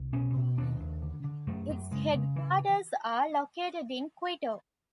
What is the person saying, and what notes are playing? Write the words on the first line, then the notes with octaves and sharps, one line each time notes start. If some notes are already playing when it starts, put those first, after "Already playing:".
Its headquarters are located in Quito.
Already playing: C2
B2 C#4
B2
D#2 D4
D#2
D3
D3
F#2 A3
F#2
C#3 G#3
C#3
E3